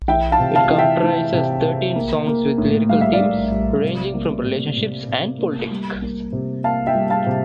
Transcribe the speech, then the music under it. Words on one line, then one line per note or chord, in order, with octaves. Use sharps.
It comprises thirteen songs, with lyrical themes ranging from relationships and politics.
E3 E5 G5
F5 A5
C3
F5 A5
E3
E5 G5
E3
C3
C3
A#3
A#3
A2
G3 F5
E5
D5 F5
A2
G3
C3
A#3
C3
C3
C3
A#3
G3
A#3
C3
A#3 F5 A5
E5 G5
G3
F5 A5
C3